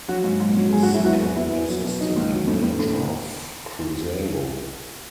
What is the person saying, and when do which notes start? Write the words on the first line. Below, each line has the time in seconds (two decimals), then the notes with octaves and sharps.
He is the current assistant manager of Cruzeiro.
0.08 F#3 F#4
0.24 G#2
0.40 G#2
0.56 F#3
0.72 G#2 G#4
0.83 F#4
0.88 F#3
0.94 E4
1.05 E2 F#4
1.20 E2
1.36 E2 E4
1.52 E2
1.68 F#3
1.84 B2
2.00 F#3 D#4
2.16 C#2
2.32 F#3
2.48 A2
2.63 A2
2.79 A2